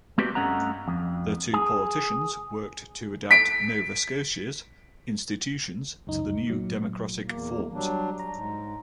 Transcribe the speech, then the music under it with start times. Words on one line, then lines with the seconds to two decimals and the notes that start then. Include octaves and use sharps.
The two politicians worked to adapt Nova Scotia's institutions to the new democratic forms.
0.18 A3 C4 F#4 G4 B4 D5
0.35 G2 A3 C#4 D#5 F#5 A#5
0.88 F2
1.54 G#4
3.31 B6 D7
6.07 C#2 F#2 D#4
6.47 A#2 F#3
7.26 E2 A#3
7.73 F#3 G3 D4
8.19 A#5
8.33 G#2